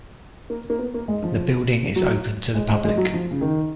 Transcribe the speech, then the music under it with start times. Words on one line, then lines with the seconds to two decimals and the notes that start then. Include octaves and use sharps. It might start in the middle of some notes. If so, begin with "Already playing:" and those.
The building is open to the public.
0.50 A#3
0.70 A#3
0.79 B3
0.94 A#3
1.08 G#3
1.23 F3
1.96 F#3
2.55 G#3
2.69 G#3
2.84 G#3
2.97 F#3
3.13 F3
3.31 C#3
3.41 D#3